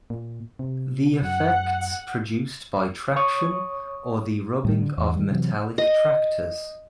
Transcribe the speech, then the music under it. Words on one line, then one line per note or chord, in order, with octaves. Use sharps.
The effects produced by traction, or the rubbing of metallic tractors.
A#2
C3
F#2 F#5
C#5 C#6 D#6
A2 G3
D3
E2
D#3 G3
C3 E3 F#3
D#5